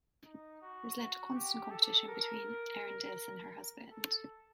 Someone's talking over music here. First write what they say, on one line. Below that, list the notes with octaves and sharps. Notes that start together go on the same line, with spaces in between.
This led to constant competition between Erendis and her husband.
D#4
F#4
F#4
G4
A4
A#4
A4